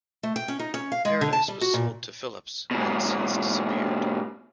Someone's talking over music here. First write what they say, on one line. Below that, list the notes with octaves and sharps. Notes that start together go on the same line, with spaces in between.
Paradise was sold to Philips, and since disappeared.
A3
G5
C#4
D#4
C#4
F5
G#3
D3
A5
G3
F#4
A#2
G#2 B2